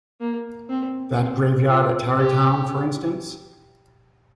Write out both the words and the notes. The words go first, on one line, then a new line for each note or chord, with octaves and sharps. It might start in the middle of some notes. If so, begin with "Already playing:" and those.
That graveyard at Tarrytown, for instance.
A#3
C4
C4
F4
G4